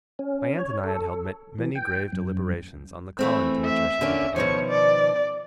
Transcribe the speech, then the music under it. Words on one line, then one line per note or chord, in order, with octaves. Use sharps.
My aunt and I had held many grave deliberations on the calling to which I should be devoted.
C#4
C#5
A4
E3
G5
F#2
E3 A3 C4
E5
D3 A#3 C#4
B2 D#3 F3 C#5
D5